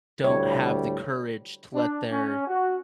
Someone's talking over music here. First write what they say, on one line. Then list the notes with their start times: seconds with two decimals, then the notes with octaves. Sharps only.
don't have the courage to let their
0.24 D2 A2 G3 C#5
1.74 D4
2.11 C#4
2.47 F#4